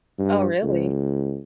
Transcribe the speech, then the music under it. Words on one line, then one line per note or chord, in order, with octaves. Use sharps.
Oh, really?
G2
C#2